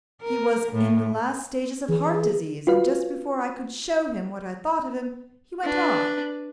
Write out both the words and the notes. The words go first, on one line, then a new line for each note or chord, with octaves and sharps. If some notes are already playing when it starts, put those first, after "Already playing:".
He was in the last stages of heart disease, and just before I could show him what I thought of him he went off.
A#4
A2
E3 G#4
F4 F#4 B4 F5
D4 B4